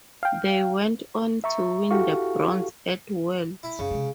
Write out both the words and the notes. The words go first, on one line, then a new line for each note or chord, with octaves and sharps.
They went on to win the bronze at Worlds.
F5 G5
E5 A#5 C#6
E4 F#4 G4 A4 F5 C#6
E4
F#2 C#3
C3 G#3